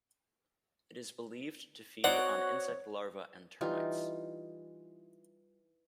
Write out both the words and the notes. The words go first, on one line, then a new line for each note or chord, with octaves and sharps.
It is believed to feed on insect larvae and termites.
C4 D#4 F#4 C#5 D5 F#5
E3 G3 D#4 F4